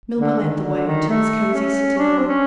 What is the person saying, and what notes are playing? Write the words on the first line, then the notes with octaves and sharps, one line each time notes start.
Milburgh led the way to his cosy sitting-room.
D3
D#3
D3
D#3
A3
C#4
D4
C4
C#4